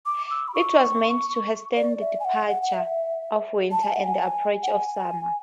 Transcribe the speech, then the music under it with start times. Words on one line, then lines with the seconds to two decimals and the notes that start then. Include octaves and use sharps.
It was meant to hasten the departure of winter and the approach of summer.
0.06 D6
0.31 E6
0.48 B5
0.54 C#6
1.76 D5
2.01 E5
2.20 G#5
2.25 F#5
2.50 F#5
2.62 F#5
2.74 E5
3.71 A5
3.83 G#5
3.94 F#5
4.05 G#5
4.63 F#5
4.68 G#5